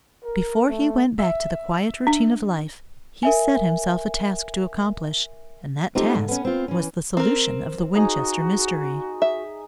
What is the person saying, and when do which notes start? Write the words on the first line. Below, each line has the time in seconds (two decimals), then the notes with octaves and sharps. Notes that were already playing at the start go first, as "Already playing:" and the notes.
Before he went back to the quiet routine of life, he set himself a task to accomplish, and that task was the solution of the Winchester mystery.
0.24 A#4
0.68 A3
1.19 E5
2.07 D4
3.23 A#4 E5 G#5
5.95 A3 C4 D#4 F4 G4
6.14 E2 G#2
6.28 B3 C#4
6.45 C4 F4
6.68 E3 C#4
7.17 C4 A#4
7.95 D#4 F#4 G#4 A#5
9.22 E5